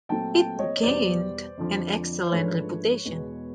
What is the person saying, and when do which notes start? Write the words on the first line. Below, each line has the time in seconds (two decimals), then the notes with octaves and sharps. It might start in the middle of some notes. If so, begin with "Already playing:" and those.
It gained an excellent reputation.
0.09 A#2 F#3 A3 C4 G5 A5
0.34 G5 A5
0.59 C#5 D#5
0.76 C#5
0.83 E2 B2 G3 C5 D5
1.57 F2 D3 F3
2.27 C5
2.32 G#2 F3 A3 D4 B4 C#5
3.05 E2 B2 G#3